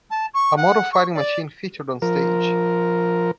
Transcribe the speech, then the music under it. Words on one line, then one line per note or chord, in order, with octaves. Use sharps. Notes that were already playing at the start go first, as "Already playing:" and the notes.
A model Fighting Machine featured on stage.
A5
C#6
F#5
C#6
D5
F3 A#4